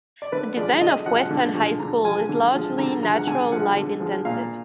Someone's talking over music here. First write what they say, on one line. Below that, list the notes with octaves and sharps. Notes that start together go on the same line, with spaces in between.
The design of Weston High School is largely natural-light intensive.
D5
D3 B4
F3 G#3 D5
D3 D#5
F3 G#3 F#5
F#5
D3
F3 G#3
D3 A#5
F3 G#3 G#5
D3
F3 G#3
D3 A#5
F3 G#3 A#5
F#5
D3 G#5
F3 G#3 F#5
D3
F3 G#3
A#2 F5